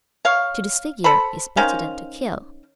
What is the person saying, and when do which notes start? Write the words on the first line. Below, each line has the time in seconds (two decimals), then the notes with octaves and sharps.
To disfigure is better than to kill.
0.25 C#5 F5
1.04 A4 C5 B5
1.57 D#3 C#4 C5 F5